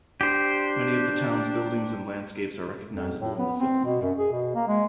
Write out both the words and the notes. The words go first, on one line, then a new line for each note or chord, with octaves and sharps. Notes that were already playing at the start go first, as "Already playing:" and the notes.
Many of the town's buildings and landscapes are recognizable in the film.
D4 G4 C5
F2
A2
B3
C4
B2
F#2
G#4
B2
A#3
G#3